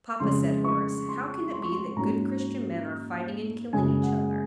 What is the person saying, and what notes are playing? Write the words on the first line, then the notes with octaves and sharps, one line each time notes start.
"Papa," said Horace, "how can it be that good Christian men are fighting and killing each other?"
F2 C#3 G#3 C#4 C6
C#6
C6
C6
C#6
C6
G#2 F#3 A#3 C#4 A#5
F#2 C#3 G#3 G#5
F#5